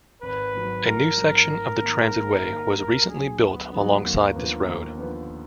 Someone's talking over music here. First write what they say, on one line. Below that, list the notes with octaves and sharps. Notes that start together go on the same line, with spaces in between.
A new section of the Transitway was recently built alongside this road.
G#1 B4
G#2 F#3
G#1 A#4
G#2 F#3
G#2
D#3 A#3
G#2
D#3 A#3
D2 A#4
D3 F#3 G#4
D2 B3
D3 F#3 B3
D#2 A#3
D3 F3 B3
D#2
D3 F3 B3